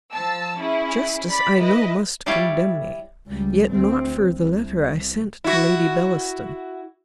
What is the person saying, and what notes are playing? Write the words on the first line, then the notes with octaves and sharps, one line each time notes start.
Justice I know must condemn me.--Yet not for the letter I sent to Lady Bellaston.
F3 A5 E6
C#4 E4 G#4
D5 B5 B6
E4 B4 D#5
G3 E4 C#5 D5 F5 G5
C#2 G3
D2 C4
C2
E4 F#4